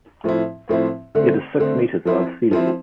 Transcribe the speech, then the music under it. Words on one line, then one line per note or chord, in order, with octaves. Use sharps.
It is six meters above sea level.
A2 F3 C4 E4
A2 F3 C4 E4
D3 A3 C4
D3 A3 C4
F3 C4 E4
F3 C4 E4